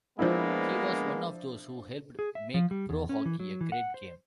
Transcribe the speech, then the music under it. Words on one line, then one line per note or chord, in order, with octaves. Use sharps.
He was one of those who helped make pro hockey a great game.
F3 G#3 A#3 B3 D4 E4
G#4
E5
F3
G3
E2
C#4
E3
F#3
E3
F#5
C5